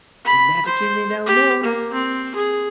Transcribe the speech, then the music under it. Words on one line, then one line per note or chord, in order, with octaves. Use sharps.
"She never give me no more."
B5
C5
G4
A#3
C4
G#4